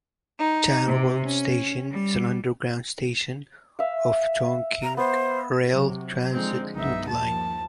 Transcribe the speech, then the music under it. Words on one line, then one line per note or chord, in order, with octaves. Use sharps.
Channel road station is an underground station of Chongqing rail transit loop line.
D#4
C3
C#4
G3
E5 F5
A#5
B3 C5
C3 F#3
D3 F3 G#3 C4 D#4
B1 G2 B3 D#4 E5
D#2 F3 A5